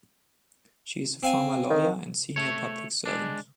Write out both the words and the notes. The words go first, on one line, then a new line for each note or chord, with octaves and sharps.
She is a former lawyer and senior public servant.
C4 F5 G#5
D#3
A3 C#5
G#3 D4